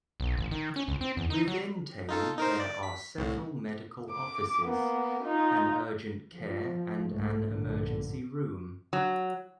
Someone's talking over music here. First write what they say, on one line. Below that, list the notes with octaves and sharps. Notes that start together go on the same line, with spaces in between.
Within town there are several medical offices, an urgent care and an emergency room.
B1
A1
D#3
C#4
C#2
C4
E2
D#4
F#3
D#4 F4 A4
D#4 A#4 C5
D5
B6
C2 A2
D6
A#3 B3
D#4 F4
F3
C2 G#2 G#3 A3
A#1 G2 A#2 D3
F#3